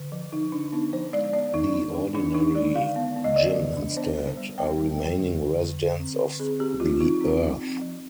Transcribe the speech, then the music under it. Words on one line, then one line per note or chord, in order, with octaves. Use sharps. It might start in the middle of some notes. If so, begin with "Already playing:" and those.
The ordinary Jinn instead, are remaining residents of the earth.
Already playing: D3
F3
F3 D#4
D3 D4
B3 D#4
F3 C5
G#3 D5
B3 D5
D#3 D#4
D4
D4
D#3 D4
D#3 D#4
G#3 D5
D3 F5
B3
B3
D#5
D3 D5
F3
D4
B3 C5
G3
C5
G3
B3 G5
G3
G3
D3
D3
D3
D3
C4
D3
C4 G#4
C4 G4
F3 F4
C4 D#4
C4
F3
C4
F3